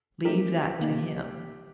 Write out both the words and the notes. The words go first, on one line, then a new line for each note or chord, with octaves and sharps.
"Leave that to him."
A3 C4 D#4 G4 A#4
D#3 A#3 D#4